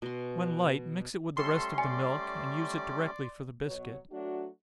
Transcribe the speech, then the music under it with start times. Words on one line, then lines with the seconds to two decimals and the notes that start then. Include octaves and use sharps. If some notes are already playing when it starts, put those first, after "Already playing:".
When light, mix it with the rest of the milk, and use it directly for the biscuit.
0.02 B2 C6
1.37 G3 A3 C#4 A4 C6
1.78 D5 G#5
3.65 B2 F#3 C#5
4.11 F#3 A3 D4 F#4